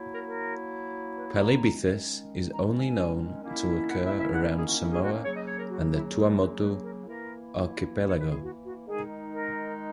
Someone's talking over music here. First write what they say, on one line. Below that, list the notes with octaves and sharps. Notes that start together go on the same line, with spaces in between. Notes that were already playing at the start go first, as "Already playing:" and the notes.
"Palibythus" is only known to occur around Samoa and the Tuamotu Archipelago.
Already playing: F#3 A#3 E4
A#4
A#4
B4
A#5
D#3 G#3 C#4
A#5
G#5
D#3 A#3 C#4 E4
F#5
E5
E5
F#5
A#4
G#4
F#4
E4
G#4
F#4
C#3 F#3 A#3 C#5
D#5
C#5
A#4
F#4
E4
G#4
B4
B4
A#4
E3 A#3 E4 A#4
B4
C#5
B4
G#4
F#4
F#4
D#3 G#3 D#4 G#4
A#4